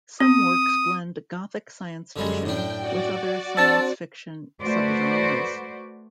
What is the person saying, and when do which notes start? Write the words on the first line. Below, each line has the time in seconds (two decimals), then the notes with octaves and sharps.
Some works blend gothic science fiction with other science fiction subgenres.
0.20 C4 D#6
2.16 F#2 D3 G3 G#3
2.45 A2 D4 G5
2.80 F#4 D5
3.57 C4 D4 A4 A5
4.62 A3 F#4 B4 C5 D5